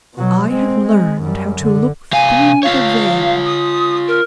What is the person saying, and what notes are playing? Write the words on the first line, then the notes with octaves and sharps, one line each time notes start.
I have learned how to look through the veil.
B2 F#3
G#3 C4
G#3
F#2 G3
D3
C3 F5 G#5
F4 C#5 F5
D#6
A#4